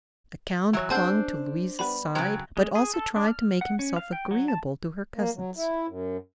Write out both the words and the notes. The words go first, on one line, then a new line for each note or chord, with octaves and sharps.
The Count clung to Louise's side, but also tried to make himself agreeable to her cousins.
E3 F#3 E4 C#5
C4 D4 G#4 C5 F#5 A5 E6 G6
G3 B3 B4 B5
C#3 F#3 C5 G5
G#3
G#4
A4
D4
F6
F#5
C#4
F5
G5
F#3
A5
A#3
F#3
E4
F#2